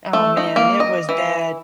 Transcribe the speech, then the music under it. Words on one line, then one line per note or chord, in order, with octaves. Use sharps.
Oh, man, it was bad.
A3
D#4
A#3
D#5
E3